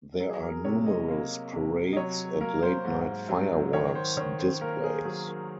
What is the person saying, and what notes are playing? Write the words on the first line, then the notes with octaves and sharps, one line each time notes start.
There are numerous parades and late night fireworks displays.
F#3
G#4
A#4
C3 C#5
D#5
A#3
C3
D#5
F#3 C#5
A#3 A#4
C5
G#2
F#3
D#3 C#5
C5
D#3 C#5
C5
A#3 A#4
G#4
F#3 G#4
A#4